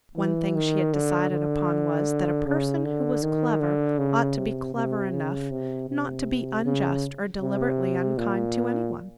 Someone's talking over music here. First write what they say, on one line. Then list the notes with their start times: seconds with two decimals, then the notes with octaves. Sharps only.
One thing she had decided upon was, that a person who was clever ought to be clever enough not to be unjust or deliberately unkind to any one.
0.17 E3
0.55 D#3
0.93 D3
1.31 D3
2.46 C#3
2.84 D3
3.22 D#3
3.60 D3
3.98 C#3
4.37 C3
4.75 C3
5.13 C#3
5.51 C3
5.89 C3
6.65 C#3
7.42 C3
8.18 A#2